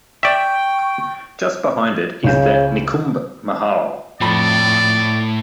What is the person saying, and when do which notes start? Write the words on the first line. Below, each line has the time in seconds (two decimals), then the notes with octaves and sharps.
Just behind it is the Nikumbh Mahal.
0.23 D5 E5 G5 C#6
2.24 C#2 C#3 G6
4.21 F2 A2 D5 B5